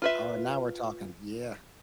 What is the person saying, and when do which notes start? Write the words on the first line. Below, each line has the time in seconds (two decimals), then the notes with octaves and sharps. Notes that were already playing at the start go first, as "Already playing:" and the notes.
Oh, now we're talking, yeah.
0.02 F4 B4 E5